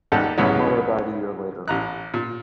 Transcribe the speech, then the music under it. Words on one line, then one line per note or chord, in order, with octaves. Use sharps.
Mueller died a year later.
G#1 D#2 G3 G4 A4 F#5
C2 F#2 A2 C#3 G#3 B3
A1 A#5 F#6
A#2